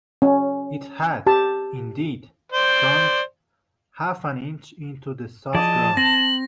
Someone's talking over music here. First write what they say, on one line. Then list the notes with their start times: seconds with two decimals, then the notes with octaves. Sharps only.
It had, indeed, sunk half an inch into the soft ground.
0.22 C#4
1.27 G4 A5
2.52 C5 D5
5.55 F3 G#4 D5 D#5 A5
5.97 C4 A#6 F#7